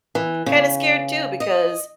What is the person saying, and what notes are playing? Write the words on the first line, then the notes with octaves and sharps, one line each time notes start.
kind of scared too because
E3
C#3
D#5